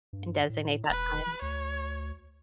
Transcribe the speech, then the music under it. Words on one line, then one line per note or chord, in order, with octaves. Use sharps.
and designate that time.
G2
A2
E1 B4
D2 C#5